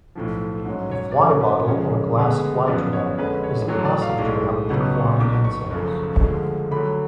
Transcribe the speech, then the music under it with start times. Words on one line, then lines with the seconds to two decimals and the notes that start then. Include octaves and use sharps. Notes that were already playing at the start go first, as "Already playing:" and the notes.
A fly bottle or glass flytrap is a passive trap for flying insects.
0.15 B1 A2 F3
0.65 G#2 F#3 C#4
0.91 C#5
1.11 D5
1.15 F#2 D3 F#3 A3 C#5
1.41 B4
1.66 F2 C#3 F3 G#3 C#4 C#5
2.17 D2 D3 G#3 B3
2.67 F#2 F3 B3 D5
2.93 C#5
3.18 F2 D3 G#3 C#4 B4
3.44 C#5
3.68 A1 A2 F#3 C#5
3.85 D5
4.02 F5
4.18 B1 A2 G#3
4.69 C#2 B2 F#3 B3 F#5
4.95 C#6
5.20 B1 B2 F#3 D6
5.44 C#6
5.71 F#1 F#2 C#3 F3 A3
6.21 D2 D3 F3 G#3
6.71 D2 D3 F#3 B5